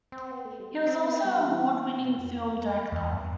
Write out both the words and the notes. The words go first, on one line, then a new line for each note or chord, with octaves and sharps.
He was also an award-winning film director.
C4
B3
A3
G3
C4
C4
B3
G3
E3
B2
F2
E2
F2
E2
E2
G2